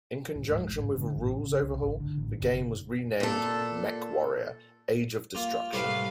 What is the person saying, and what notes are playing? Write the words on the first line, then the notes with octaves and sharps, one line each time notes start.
In conjunction with a rules overhaul, the game was renamed "MechWarrior: Age of Destruction".
D1
G#2
A1
G#2
D3
A1
C#3
C2
G#1
D3
A1
F#1
A#2 A4
A#3 F4
C2 A2 C3 B4 F5